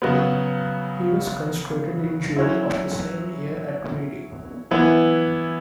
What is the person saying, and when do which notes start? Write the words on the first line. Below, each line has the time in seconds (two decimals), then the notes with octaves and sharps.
He was consecrated in June of that same year at Reading.
0.02 C#3 F#3 B3
2.36 F#3 C#4 E4
4.71 E3 B3 E4